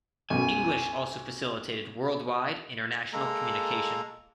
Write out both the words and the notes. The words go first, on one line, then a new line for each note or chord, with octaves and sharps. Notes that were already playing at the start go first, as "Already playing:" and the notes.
English also facilitated worldwide international communication.
B1 F#2 B2 G#5
G#3 A#3 A4 A#5